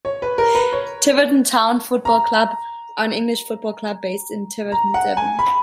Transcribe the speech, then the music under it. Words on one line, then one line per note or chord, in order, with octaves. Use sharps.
Tiverton Town Football Club are an English football club based in Tiverton, Devon.
C#5
B4
A#4
B4
C#5
A#5
A#5
F#5
G#5
B5